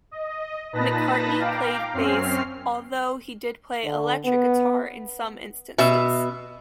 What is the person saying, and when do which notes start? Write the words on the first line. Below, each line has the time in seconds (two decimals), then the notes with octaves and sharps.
McCartney played bass although he did play electric guitar in some instances.
0.11 D#5
0.73 A#2 D#4 B4 A5 B5 A#6
1.39 F5 G5 A#5 D6
1.93 F#2 C4 C#4 F6 C7
3.84 D3
4.25 B3
5.78 B2 E5